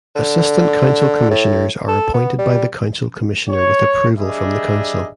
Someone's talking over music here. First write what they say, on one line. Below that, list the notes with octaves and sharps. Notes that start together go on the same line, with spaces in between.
Assistant council commissioners are appointed by the council commissioner with approval from the council.
D3
A2
A4
B3
G3
C#5
G3 D4 G#4 D#5 E5